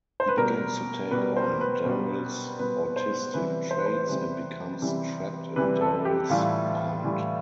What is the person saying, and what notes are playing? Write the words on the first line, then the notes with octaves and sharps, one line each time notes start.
He begins to take on Darryl's autistic traits and becomes trapped in Darryl's mind.
C5
B4
B2 G3 A#4
B2 G3 B4
C5
B4
B2 G3
B2 G3 B4
C5
C3 E3 G3 B4
C5
B4
C5
C3 E3 G3
C3 E3 G3
C3 E3 G3 B4
A4
G4
A2 E3 G3 F4
A2 E3 G3